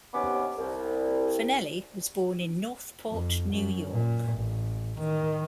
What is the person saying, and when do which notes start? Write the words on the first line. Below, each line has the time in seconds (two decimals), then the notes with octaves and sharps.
Fanelli was born in Northport, New York.
0.14 D#2 C3 B3 C#4 F#5 D6
0.58 C2
3.09 F2
3.52 F#2
3.93 A#2
4.32 A1
4.98 D#3